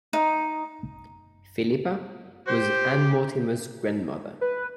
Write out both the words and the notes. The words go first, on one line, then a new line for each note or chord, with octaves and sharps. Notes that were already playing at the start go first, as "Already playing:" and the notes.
Philippa was Anne Mortimer's grandmother.
D#4
G4 C5
B4